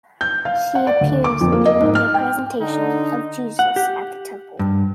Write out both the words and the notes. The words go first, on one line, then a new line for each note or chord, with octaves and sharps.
She appears in during the presentation of Jesus at the Temple.
G6
F5
F#5
D5
D2
D6
F2
A#3
D#5
G#2
F6
G5
D3 D#4
F#5
G4
G2